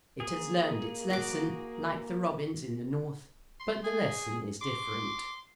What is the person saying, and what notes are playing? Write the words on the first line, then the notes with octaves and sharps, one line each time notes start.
It has learnt its lesson like the robins in the north, but the lesson is different.
A#3 G#4
F#4 D6
C6
G#4 G#5
C6 D6